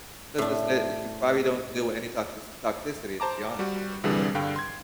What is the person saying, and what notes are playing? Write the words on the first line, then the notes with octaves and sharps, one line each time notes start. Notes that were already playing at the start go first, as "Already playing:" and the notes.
'cause it's the y you probably don't deal with any toxici toxicity, to be honest, the way you live.
A2 D4
C5 A5 A#5 D6
G3 F#4
C2 D3 E3 G3 D4 G#4
G2 D3 F5 G5
C6 G#6